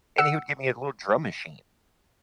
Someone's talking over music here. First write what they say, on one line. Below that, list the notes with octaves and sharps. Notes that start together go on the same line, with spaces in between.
and he would give me a little drum machine.
F#5 E6 C#7